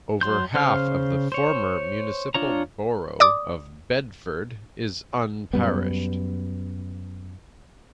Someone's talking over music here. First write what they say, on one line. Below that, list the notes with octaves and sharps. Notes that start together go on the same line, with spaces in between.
Over half of the former municipal borough of Bedford is unparished.
F#3 C6 G6
C#3 C5 F5 F6
C5 C#5
D4 F4 C#5 A#5
D5 D6 D#6
F#2 G3 B3